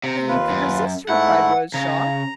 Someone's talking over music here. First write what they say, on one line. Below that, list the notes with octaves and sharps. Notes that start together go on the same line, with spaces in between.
"But who could resist her?" cried Rose Shaw.
C3 A#5
D#2 F4 B4
F#2
G#2 A3 E4 F#5
C#3 A#5